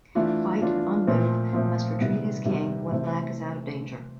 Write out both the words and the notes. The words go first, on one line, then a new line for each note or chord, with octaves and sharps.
White, on move, must retreat his king, when Black is out of danger.
E3 A3 D4 F4
E3 A3 D4 F4
A#2 F3 A3 C4
A#2 F3 A3 C4
C3 D#3 G3 B3
C3 D#3 G3 B3
C3 E3 A3 C4